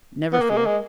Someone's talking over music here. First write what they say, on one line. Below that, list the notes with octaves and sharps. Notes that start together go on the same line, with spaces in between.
"Never fear."
B3
A#3
G#3
A#3
G#3